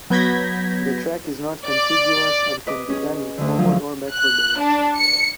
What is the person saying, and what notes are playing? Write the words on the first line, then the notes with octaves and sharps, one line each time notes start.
The track is not contiguous and can be done in forward or backward direction.
F#3 B3 G6 G#6 A#6 B6
D5
B4 D#5 D6
C#4 G#4
D2 D3
F3 F#3
F#6
D4
C#7